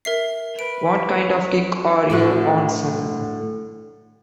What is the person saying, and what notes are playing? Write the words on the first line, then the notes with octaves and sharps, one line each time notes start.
What kind of kick are you on, son?
A#4 E5 C7
B4 D7
A2 D3 F#4